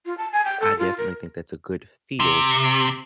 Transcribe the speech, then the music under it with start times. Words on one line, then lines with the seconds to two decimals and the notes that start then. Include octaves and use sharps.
I definitely think that's a good field.
0.06 F4
0.18 A5
0.32 G#5
0.45 G5
0.60 A4
0.79 F4
0.98 A#4
2.20 C3